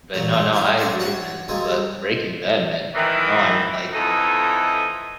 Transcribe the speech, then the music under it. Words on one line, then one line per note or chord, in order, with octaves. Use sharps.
But no, no, I agree, man. But, Breaking Bad, man. No. I mean, like,
A1 A#2 A3
C4
E4 F4 C5 B5
A3 C4 D5 F5
F#4 C#5 F#5
D2 G2 D3 G#3 A#3 C4
D#3 E3
F2 E3 A3 D#4 A4 D#5